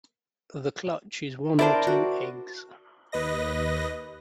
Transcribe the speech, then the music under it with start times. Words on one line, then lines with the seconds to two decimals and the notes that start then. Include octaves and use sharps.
The clutch is one or two eggs.
1.59 D4 E4 A#4 C5 D5
1.87 F#4
3.12 D#2 B4 D#5 A#6